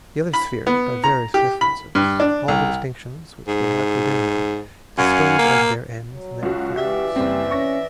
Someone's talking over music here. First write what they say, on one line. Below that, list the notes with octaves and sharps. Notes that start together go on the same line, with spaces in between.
The other spheres, by various differences, All the distinctions which they have within them Dispose unto their ends and their effects.
B5
B3
A#5
G4
B5
G2
D4
C2
G#2
F#2 F5 F#5 G#5
A#3
F#3
C#2 F4 F#4
E3 G4 D5 E5
F#1 G3 C4
C#4 C#6 A#6